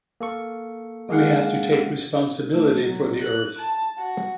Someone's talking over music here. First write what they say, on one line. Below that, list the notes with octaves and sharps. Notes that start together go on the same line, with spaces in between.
We have to take responsibility for the earth.
A#3 A4 C#6
G#3 A#3 G#4 F5 F#5
A3
F#3
F#6
A5
F#4